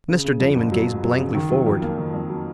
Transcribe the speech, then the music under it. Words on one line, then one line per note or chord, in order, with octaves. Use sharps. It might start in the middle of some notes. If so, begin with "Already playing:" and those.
Mr. Damon gazed blankly forward.
C#3
C#3
F2
F#1
F#3
F#3
F#3
C#3
D#3
F#3
F2
A#3
D#3
F2
F#3